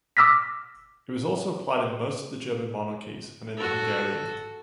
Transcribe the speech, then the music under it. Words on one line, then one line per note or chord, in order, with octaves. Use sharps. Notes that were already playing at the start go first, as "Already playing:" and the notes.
It was also applied in most of the German monarchies and in the Hungarian.
D6 E6 F6 A#6 B6
F#4 A4